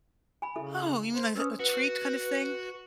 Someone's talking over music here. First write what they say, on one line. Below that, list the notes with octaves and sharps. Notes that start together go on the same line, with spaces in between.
Oh, you mean like a a treat kind of thing?
G#5 B5
C#3 E4 A4 E5
C5
C#4 A#4 B4 D#6
F#4 B4